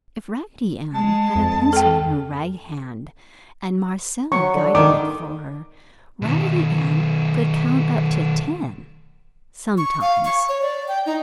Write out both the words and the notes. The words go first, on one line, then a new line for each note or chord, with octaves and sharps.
If Raggedy Ann had a pencil in her rag hand and Marcella guided it for her, Raggedy Ann could count up to ten--sometimes.
G#3 A5
F2
A4 G5
F#3 C#6
D3
D#3 D6
B2 D#3
C#6
F5
C#6
C#5
D5
G5
D#4